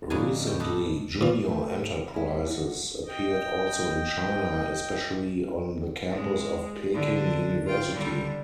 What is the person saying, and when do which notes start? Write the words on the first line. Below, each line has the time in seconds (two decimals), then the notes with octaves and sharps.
Recently, junior enterprises appeared also in China, especially on the campus of Peking University.
0.10 F2 A2 D3 D#4 A4 G#5
0.47 A2 G5
0.60 G4 A4 B4 D#5
1.21 A#2 E3
1.44 C3 A3
2.14 G#3 E4
2.50 G2 F#5
3.07 D#5 G5
6.10 G#3
6.93 D3
7.67 F4 G5
7.95 D3 G3